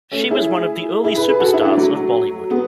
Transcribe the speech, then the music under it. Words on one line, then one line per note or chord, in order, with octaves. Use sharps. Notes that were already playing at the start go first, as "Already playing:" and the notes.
She was one of the early superstars of Bollywood.
A3 C#4
E4 G#4
E4 G#4
G#4 B4
G#4 B4
F#4 A4
E4 G#4
D4 F#4
F#3 A3
G#3 B3